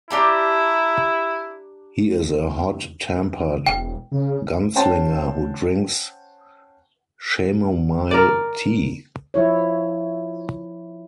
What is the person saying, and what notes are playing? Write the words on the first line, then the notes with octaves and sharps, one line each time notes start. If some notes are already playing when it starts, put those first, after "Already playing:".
He is a hot-tempered gunslinger who drinks chamomile tea.
D4 E4 G4 A#5
E1 G5
C#3
C#4 C5 F#5 G5 A5 C6
A#4 D5
F3 E4 C#5